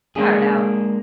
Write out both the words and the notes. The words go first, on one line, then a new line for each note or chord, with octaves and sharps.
Tired out.
G#3 A#3 D4 G#4